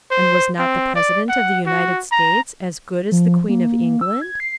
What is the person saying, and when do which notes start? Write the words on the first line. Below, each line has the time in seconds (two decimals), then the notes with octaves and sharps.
And was not the President of the United States as good as the Queen of England?
0.11 C5
0.59 C4
0.95 D5
1.29 F#5
1.66 F#4
2.12 A#5
3.12 F3
3.49 A#3
4.01 E6
4.22 G#6
4.40 C7